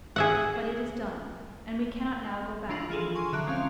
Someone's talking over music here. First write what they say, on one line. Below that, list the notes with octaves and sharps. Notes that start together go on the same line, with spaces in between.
But it is done, and we cannot now go back.
G#4 E5 F#5
E3 D4 F4 A#6 F#7
F3 G#4 A4
G#5 C6 C#6
D3 F#3 E5 A#5 F#6 D7
G#3 C4 C#4 F4 F5